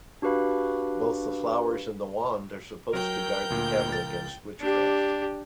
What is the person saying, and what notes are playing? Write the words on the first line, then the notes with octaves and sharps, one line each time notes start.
Both the flowers and the wand are supposed to guard the cattle against witchcraft.
D4 F#4 G4 B4 F5 B5
F#3 A#4 G5 G6
D2 A#2
C#2 A6
D4 G4